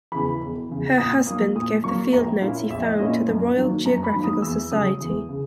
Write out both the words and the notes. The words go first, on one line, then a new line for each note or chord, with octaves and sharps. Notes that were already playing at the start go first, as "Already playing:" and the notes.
Her husband gave the field notes he found to the Royal Geographical Society.
E2 C#3 E3 B5
E1
E2 C#3 E3
A#2 D#6
F#3 A#3 D#6
A#2 D#6
F#3 A#3 C#6
A#1 A#5
A#2 A#3 C#4 E4
A#1 E5
D#5
A#2 A#3 C#4 E4 D#5
F#2
D#3 F#3 A#3
F#2 A#5
B5
D#3 F#3 A#3
D#6
E2 E6
C#3 F#3 D#6
E2
C#3